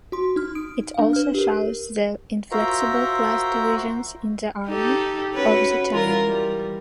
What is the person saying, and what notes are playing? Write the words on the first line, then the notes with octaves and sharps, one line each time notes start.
It also shows the inflexible class divisions in the army of the time.
F#4 C6
D#4 F6
D#6 D7
D4 F5
B4 F6
G4 A#4
F4 F#4 A#4 C5 E5 A#5
D#4 G4 A4
C#4 F#4 B4
E3 F4 A#4
G3